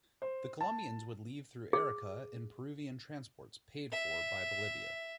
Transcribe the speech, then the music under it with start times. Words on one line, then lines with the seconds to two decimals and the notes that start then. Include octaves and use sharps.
The Colombians would leave through Arica in Peruvian transports paid for by Bolivia.
0.22 C5
0.61 A5
1.73 G#4
3.92 E5